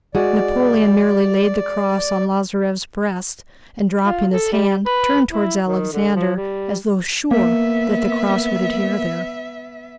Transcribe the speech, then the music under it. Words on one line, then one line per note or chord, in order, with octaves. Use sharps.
Napoleon merely laid the cross on Lazarev's breast and, dropping his hand, turned toward Alexander as though sure that the cross would adhere there.
G#3 F#4 D5
F4
A4
G3
B4
E4
D#3
D3
F3
G3
A#3 B3 E5